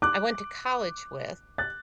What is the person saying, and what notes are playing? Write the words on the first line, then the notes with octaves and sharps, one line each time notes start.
I went to college with,
D6 F#6
F#6 A6